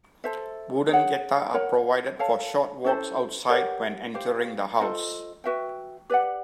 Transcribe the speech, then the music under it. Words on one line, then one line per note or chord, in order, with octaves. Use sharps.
Wooden "geta" are provided for short walks outside when entering the house.
A4 C5 E5
G#4 C#5 F#5
A#4 C#5 F#5
A4 C#5 F5 A5
C#4 E4 A4 C5
G4 A#4 C#5 F#5
G4 C5 F5
F4 A4 C5 D#5
F#4 B4 E5 G5
G4 B4 D5 F#5